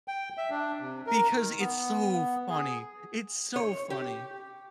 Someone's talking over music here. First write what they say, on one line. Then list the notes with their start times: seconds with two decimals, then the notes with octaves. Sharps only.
because it's so funny. It's so funny.
0.08 G5
0.38 E5
0.50 D4
0.80 C3
1.07 A#4
1.30 D#3
1.59 B3
2.49 G#4
3.56 C#5
3.90 G4